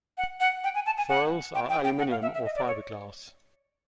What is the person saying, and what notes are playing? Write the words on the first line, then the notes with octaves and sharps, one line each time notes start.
Foils are aluminium or fibreglass.
F#5
F#5
G5
G#5
A5
G#5
F#5
G5
G5
G5
F#5
F5
E5
E5
D#5
D5
C#5